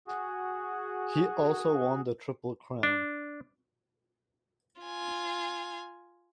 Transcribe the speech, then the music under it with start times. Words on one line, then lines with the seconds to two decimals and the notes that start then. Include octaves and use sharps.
He also won the Triple Crown.
0.08 F#4 G#4
2.83 D4
4.81 F4 G#5